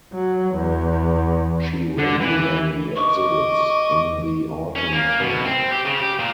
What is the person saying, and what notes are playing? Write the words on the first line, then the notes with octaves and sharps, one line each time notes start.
She regularly exhibits in the Autumn Fair.
F#3
E2
D3
E3
D#5 C#6 D6
C#4
A#3
B2
C4
G4
C#3
G4
A#2